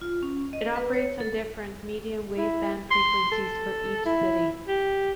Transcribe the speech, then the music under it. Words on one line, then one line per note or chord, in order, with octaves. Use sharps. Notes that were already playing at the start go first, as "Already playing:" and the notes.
It operates on different medium wave-band frequencies for each city.
F4
C#4
D#5
B4
C#5
A4
E4
C6
A4
E4
G4